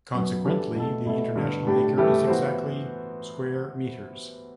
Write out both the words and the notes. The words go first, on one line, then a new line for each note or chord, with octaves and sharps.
Consequently, the international acre is exactly square metres.
F#2 F#3 B3
E3 G3 D4 F#4 A4
B2 A3 E4 A4
B2 A3 E4 A4
G2 D3 G3 B3
A2 G3 D4 G4
G2 E3 A3 E4 G4
E3 B3 F#4 C5